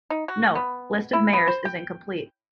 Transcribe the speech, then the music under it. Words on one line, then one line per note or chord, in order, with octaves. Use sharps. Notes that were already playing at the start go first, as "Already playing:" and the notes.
Note: List of Mayors is incomplete.
D#4
F#4
B3
E4
B3
C5
G5